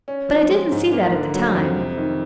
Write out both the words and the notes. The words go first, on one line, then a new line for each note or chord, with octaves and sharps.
But I didn't see that at the time.
C#4
F3
G#3
G#2
A#3
D3
F#3
F2
C3
D#3